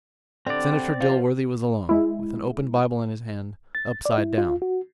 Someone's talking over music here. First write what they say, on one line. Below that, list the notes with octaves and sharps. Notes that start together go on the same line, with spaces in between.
Senator Dilworthy was alone--with an open Bible in his hand, upside down.
D3 G3 C4 D5
F3
G#3 E4
A6
D5
E4
F4
F#4